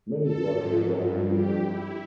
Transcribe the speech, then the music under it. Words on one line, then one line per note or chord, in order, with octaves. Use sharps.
Many dragged their wagons with them.
A4
G#2
G2
G4
E4